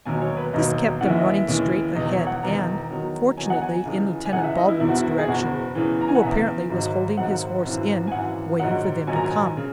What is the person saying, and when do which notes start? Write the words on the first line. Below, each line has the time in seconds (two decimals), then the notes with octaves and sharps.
This kept them running straight ahead, and, fortunately, in Lieutenant Baldwin's direction, who apparently was holding his horse in, waiting for them to come.
0.05 E1 D#2 D#3 F#3 G#5
0.21 C#5
0.37 B4
0.53 E1 D#2 D#3 F#3 D#5
1.01 D#2 C#3 E3 F#5
1.09 E5
1.19 D#5
1.28 E5
1.48 D#2 C#3 E3
1.95 E1 E2 D#3 D#5
2.12 C#5
2.27 F#5
2.43 E1 E2 D#3 A#5
2.91 E2 D#3 F#3
3.37 E2 D#3 F#3 G#5
3.50 F#5
3.62 G#5
3.85 C#2 C#3 E3
4.25 G#5
4.33 C#2 C#3 E3 F#5
4.44 E5
4.57 D#5
4.68 E4
4.80 F#1 E2 B2 E4
4.89 F#4
4.97 E4
5.18 G#4
5.27 F#1 E2 B2 F#4
5.75 E2 C#3 E3
6.01 A#5
6.08 G#5
6.15 F#5
6.22 E2 C#3 E3 E5
6.69 G#1 G#2 D#3 F#3
7.17 G#1 G#2 D#3 F#3 F#5
7.65 G#1 F#2 E3
8.07 G#5
8.12 G#1 F#2 E3 F#5
8.60 A#1 G#2 D#3 F#3 F#5
9.07 A#1 G#2 D#3 F#3 G#5
9.16 A#5
9.24 G#5
9.57 C#3